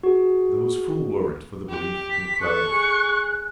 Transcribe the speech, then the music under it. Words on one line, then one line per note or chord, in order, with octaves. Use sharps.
There was full warrant for the belief of McClellan.
F#4 G#4
G4
B6
A4 C#6 F#6
G#4